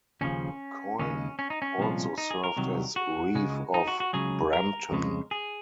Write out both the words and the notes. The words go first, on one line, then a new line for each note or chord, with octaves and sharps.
Coyne also served as reeve of Brampton.
D#2 C#3 F3 C#4
D#2 C#3 G#3 C#4
C#4
D#4
C#4
C2 A#2 F3 G#3
D#4
G#4
A#4
C2 C3 D#3 F#3
F#4
C#2 C#3 G#3
D#4
F#4
F#4
C#2 C#3 F#3 G#4
A#4
F2 C#3 G#3
G#4